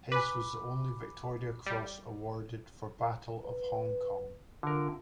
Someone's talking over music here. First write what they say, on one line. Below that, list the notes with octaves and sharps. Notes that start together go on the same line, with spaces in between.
His was the only Victoria Cross awarded for Battle of Hong Kong.
B4 G#5 B5 D6
G3
B4
D3 F4 A#4